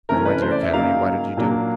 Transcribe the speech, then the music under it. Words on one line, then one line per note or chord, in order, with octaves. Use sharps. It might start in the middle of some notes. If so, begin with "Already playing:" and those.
"Then, my dear Kennedy, why did you do it?"
C3 E3 A3 C#4 A#4
B4
C5
D5
E5
C#3 F#3 A#3 D#4 F5
A#2 F#3 A#3 D4